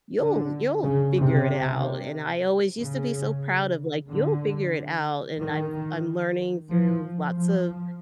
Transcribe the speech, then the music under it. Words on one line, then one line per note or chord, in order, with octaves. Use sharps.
you'll you'll figure it out," and I always used to be so proud of, like, "You'll figure it out," and I'm f I'm learning through lots of
D3
C#3
C3
C#3
D3
D#3
F3
F3